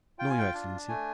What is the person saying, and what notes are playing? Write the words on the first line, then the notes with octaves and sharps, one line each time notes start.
"No, your excellency."
F4 G5
G#5
G5
D4
A3 G#5